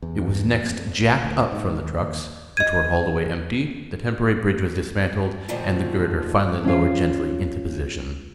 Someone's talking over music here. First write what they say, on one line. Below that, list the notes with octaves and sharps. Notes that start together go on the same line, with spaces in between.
It was next "jacked" up from the trucks, which were hauled away empty, the temporary bridge was dismantled, and the girder finally lowered gently into position.
E2
F2
A#1
D2
G#2
D#2
D#5 G#6 D#7
A#2 D3 D#3 F3 A3 F#4
C#4 F4